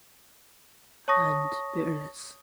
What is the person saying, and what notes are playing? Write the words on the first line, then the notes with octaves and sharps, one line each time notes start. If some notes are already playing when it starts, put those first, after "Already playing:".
And bitterness.
C#5 A5 C#6 D#6 A#6